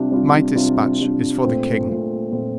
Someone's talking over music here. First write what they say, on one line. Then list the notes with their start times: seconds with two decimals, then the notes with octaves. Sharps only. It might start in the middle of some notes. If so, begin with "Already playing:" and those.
"My dispatch is for the king."
Already playing: C3 G3 D4 F4
0.12 C3 G3 D4 F4
0.55 C3 G3 D4 F4
0.99 C3 G3 D4 F4
1.43 A#2 A3 C4 F4
1.88 A#2 A3 C4 F4
2.32 A#2 A3 C4 F4